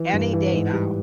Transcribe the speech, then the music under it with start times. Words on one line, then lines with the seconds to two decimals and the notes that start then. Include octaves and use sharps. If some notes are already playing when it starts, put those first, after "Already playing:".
any day now.
Already playing: E3
0.13 G2
0.33 E3
0.53 G#2
0.73 G3